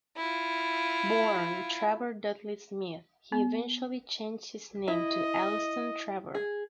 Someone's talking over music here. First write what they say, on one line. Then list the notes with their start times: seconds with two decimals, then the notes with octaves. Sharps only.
Born Trevor Dudley-Smith, he eventually changed his name to Elleston Trevor.
0.17 E4 F4
3.32 B3
4.88 E4 D#5
6.35 G#4